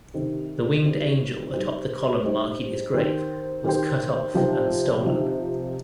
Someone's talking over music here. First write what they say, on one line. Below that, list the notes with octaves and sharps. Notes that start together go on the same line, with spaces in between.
The winged angel atop the column marking his grave was cut off and stolen.
C3 D#3 C4 D#4 G4
C3 D#3 C4 D#4 G4
G3 C4 D#4 C5
G3 C4 D#4 C5
D#3 C4 G4 C5
D#3 C4 G4 C5
C3 F3 D#4 G4 C5
C3 F3 D#4 G4 C5